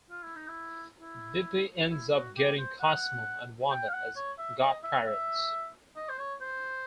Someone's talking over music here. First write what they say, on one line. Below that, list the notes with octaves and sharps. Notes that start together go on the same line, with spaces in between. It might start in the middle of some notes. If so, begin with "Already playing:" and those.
Bippy ends up getting Cosmo and Wanda as godparents.
F4
E4
D#4
E4
E4
E4
F#4
G4
C5
F#5
G5
F5
F#5
C#5
E5
D#5
E5
E5
D#5
C5
C#5
C5